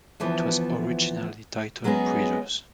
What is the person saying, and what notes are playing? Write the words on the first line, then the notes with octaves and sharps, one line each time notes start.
It was originally titled "Breeders".
D2 E3 F3 B3
F#3 G#3 B3 C#4 G#4